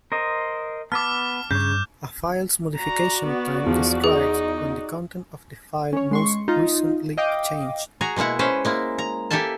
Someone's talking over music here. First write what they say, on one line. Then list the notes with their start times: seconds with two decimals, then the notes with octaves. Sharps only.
A file's modification time describes when the content of the file most recently changed.
0.12 A#4 C5 D#5
0.92 B3 B4 A5 D6 E6 F6
1.51 G2 C#3 C#5 G6
2.76 F#4 D5 A#5
3.26 B3
3.66 E2 F3
4.04 D#4 G#4
5.93 C#4 C#5
6.11 G#3 C6 C#6
6.48 D#4 F4
7.17 D#5 F5 G5 D6
8.01 F#4 G#4 A#5
8.16 B2 G#3 A#3 E4 F#5
8.39 C#4 B4 C5
8.65 G#3 A#3 E4
8.98 A#5
9.30 A#3 G4 A4 E5 G#5 A5